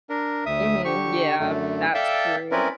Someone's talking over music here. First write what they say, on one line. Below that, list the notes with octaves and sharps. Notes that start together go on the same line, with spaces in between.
Mhm. Yeah. That's true.
D4 A#4
D2 E5 D#6
D3 G4 C#6
F#2 D3 A3
A4 D5 E5 F5 G5 A5
C4 C#4 E4 A#4 B4 D5